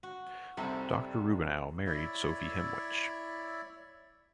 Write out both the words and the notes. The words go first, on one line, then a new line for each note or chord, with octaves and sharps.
Doctor Rubinow married Sophie Himwich.
F#4
C2 C3 G3 D#4 A4
E4 C#5 D5 E5